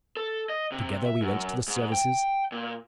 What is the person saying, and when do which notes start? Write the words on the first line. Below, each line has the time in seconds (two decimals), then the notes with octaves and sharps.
Together we went to the services.
0.17 A4
0.49 D#5
0.72 C3
1.06 E5
1.22 F#2
1.68 G#2
1.92 G5
2.52 A#2